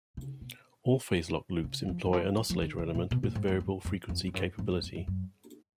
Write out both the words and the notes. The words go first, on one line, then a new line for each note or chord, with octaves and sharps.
All phase-locked loops employ an oscillator element with variable frequency capability.
C#3
B2
C#3
F3
D#3
F3
F3
F3
D#3
C#3
A#2
B2
A#2
G#2
F2
F#2
F2
F2
F2
F#2
G#2
F#2
F2
F#2
F#2